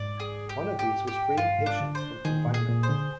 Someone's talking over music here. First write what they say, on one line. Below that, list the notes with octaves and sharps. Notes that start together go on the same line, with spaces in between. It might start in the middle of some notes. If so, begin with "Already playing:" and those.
One of these was freeing patients from confinement.
Already playing: G#2 D5
G#4
G4
G4
G4
G2 F4
G#2
D4
D3
C5
D#3 G#4
A#2
G#4
A#2
C5
D3